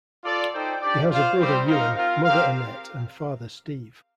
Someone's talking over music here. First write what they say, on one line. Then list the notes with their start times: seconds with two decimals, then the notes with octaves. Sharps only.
He has a brother Euan, mother Annette and father Steve.
0.23 F4 A4 D5
0.52 D#4 A4 C5 G5
0.81 D4 G4 D5
1.10 F4 C5 F5
1.38 G3 C4 G4 C5
1.67 D#4 A#4 F5
1.95 C4 F4 A#4 F5
2.24 C4 G4 A#4 F5